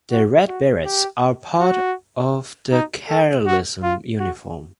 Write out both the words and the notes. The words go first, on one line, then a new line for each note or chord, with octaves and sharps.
The red berets are part of the Carlist uniform.
F#4
F#4
G4
F#4
D#4
A4
F#4
F4
F#4